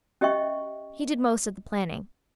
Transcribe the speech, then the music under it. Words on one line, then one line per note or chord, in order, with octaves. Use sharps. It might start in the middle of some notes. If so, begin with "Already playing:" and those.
He did most of the planning.
C#4 G4 D#5 E5 G5 C#6